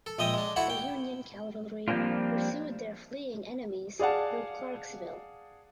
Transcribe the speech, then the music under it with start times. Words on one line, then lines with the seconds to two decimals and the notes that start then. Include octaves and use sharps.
The Union cavalry pursued their fleeing enemies through Clarksville.
0.06 A4
0.19 A#1 G#3 D#5 E5 G5 D#6
0.34 G#3 D4
0.56 E4 F#4 A4 C#5 E5 F#5
0.70 G5
1.88 F3 G3 A#3 C4 D4 F4
3.99 G#4 D5 F5 F#5 A5